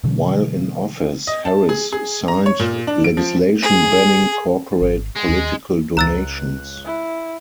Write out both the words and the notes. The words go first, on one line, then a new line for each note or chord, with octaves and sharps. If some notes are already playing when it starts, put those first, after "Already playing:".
While in office, Harris signed legislation banning corporate political donations.
B2 D3 E3 F#3
D#5
A5
G#4
G#4
A#5
C#5
A#2
D4
D7
F3
G#4
G#1
G#3
D#2
C#2 A#5 E6 F#6 A6
E4